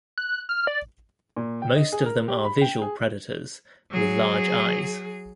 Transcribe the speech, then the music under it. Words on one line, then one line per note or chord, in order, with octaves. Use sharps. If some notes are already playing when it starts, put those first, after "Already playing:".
Most of them are visual predators with large eyes.
F#6
F6
D5
A#2
G5
D#5
G#4
A#4
G4
B5
G5
G#4
F#3 G#4